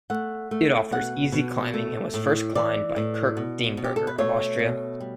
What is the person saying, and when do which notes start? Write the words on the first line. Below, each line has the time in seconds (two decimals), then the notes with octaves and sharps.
It offers easy climbing and was first climbed by Kurt Diemberger of Austria.
0.10 A3 F#5
0.51 A3
0.92 B2 F#5
1.32 B2
1.74 A3
2.14 A2
2.55 E3 D5
2.96 A2
3.37 B2
3.77 B2
3.84 G4
3.96 A4
4.07 B4
4.18 A3 C#5
4.59 B2
5.00 G3